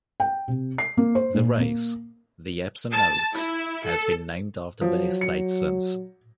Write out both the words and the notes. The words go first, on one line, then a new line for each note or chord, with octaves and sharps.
The race, the Epsom Oaks, has been named after the estate since.
G5
C3
C7
A#3
C5
A#2
A#3
A5
E4
A4
F3 F#3
C#7